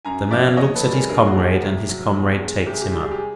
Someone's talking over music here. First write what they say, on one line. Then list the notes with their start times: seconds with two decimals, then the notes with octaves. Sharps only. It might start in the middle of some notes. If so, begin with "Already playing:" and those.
The man looks at his comrade, and his comrade takes him up.
0.05 F#2 G#5 A#5
0.31 F3 D5 E5
0.57 D#2 C#5 D#5
0.74 A4 B4
0.84 G3
0.92 G#4 A#4
1.09 A#1 G#4 A#4
1.27 F#4 G#4
1.36 F3
1.44 G4
1.62 C2
1.89 F#3
2.14 E2
2.40 G#3
2.67 C2 G4
2.73 G#4
2.81 G4
2.88 G#4
2.93 G3 G4
3.03 G#4
3.11 G4
3.18 G#4